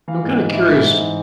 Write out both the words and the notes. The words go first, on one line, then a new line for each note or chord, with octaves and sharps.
I'm kinda curious.
E3 F5
G#2
G#2
E3 E5
G#2
G#2
E3